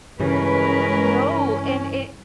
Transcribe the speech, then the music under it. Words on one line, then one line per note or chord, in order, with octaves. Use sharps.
No. And it
G2 C#3 E3 G#3 C#4 A#4 B4